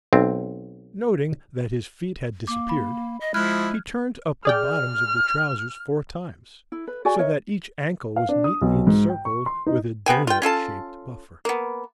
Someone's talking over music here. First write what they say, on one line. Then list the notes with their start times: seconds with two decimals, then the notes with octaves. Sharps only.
Noting that his feet had disappeared, he turned up the bottoms of the trousers four times, so that each ankle was neatly encircled with a doughnut-shaped buffer.
0.13 B1 C4
2.47 A#3 D6
2.69 B5
3.20 D#5
3.34 F3 G#3 E4 F6 F#6 G#6
4.45 G#4 D5 G5 F6
6.72 E4
6.87 B4
7.05 F#4 G#4 D5 G#5
7.19 A#4 C#5 D#5 E5
8.16 F5
8.29 D4
8.44 D#6
8.61 B1
8.87 G#2
9.10 G5
9.25 C#6
9.46 C6
9.66 D#4
10.06 C3 B3 G5 G#5
10.27 F4 G5
10.42 C#4 F4 A4 A5
11.45 A#3 B3